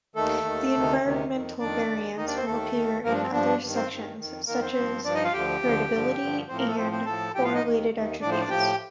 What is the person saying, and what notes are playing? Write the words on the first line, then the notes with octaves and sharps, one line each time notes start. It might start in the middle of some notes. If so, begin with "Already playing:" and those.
The Environmental variance will appear in other sections, such as "Heritability" and "Correlated attributes".
D#2 D#3 A3 A4
D#2 D#3
D2 C3 D#3
D2 C3 D#3
F2 D#3
F2 D#3 D4 D5
D#2 D#3
D#2 D#3 D#4 D#5
D4 D5
C4 C5
D#2 D#3 A3 A4
D#2 D#3
G2 F3 A#3 A#4
D4
C4
G2 F3 D4
G2 D#3
C4 C5
G2 D#3
F2 D#3
F2 D#3 A#3 A#4
C4 C5
G2 F3
G2 F3 D4 D5
D#4 D#5
F4 F5
D2 D3 F3 G4 G5
D2 D3 F3
G2 D3 F3
G2 D3 F3
A2 F3 C4 C5
A#3 A#4
A3 A4
A2 F3 C4 C5
C4 C5
A2 F3 A4 A5
A2 F3 G4 G5
F4 F5
D#4 D#5
D#2 D#3
D#2 D#3
A2 F3 D4 D5
C5
D4 D5
A2 F3 G4 G5